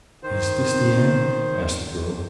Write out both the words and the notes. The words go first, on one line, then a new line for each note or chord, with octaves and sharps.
"Is this the end?" asked the girl.
D#3 C5